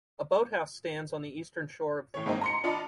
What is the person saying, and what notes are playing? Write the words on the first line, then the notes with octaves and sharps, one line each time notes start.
A boat house stands on the eastern shore of the pond.
A2 E3 C#5
G#2 A#3 C4 D#4
A#5 C6 C#7
D4 F4 D#5 A5 B5